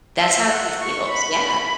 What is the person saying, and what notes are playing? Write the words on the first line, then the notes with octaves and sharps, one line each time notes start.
That's how he feels. Yeah.
E5
F#5
C#6
B5